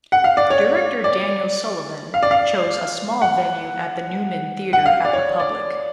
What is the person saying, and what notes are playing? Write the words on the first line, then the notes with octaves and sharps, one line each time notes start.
Director Daniel Sullivan chose a small venue at the Newman Theater at the Public.
F#5
F5
D5
C#5
D5
F5
D5
F5
F#5
F#5
F5
D5
C#5
D5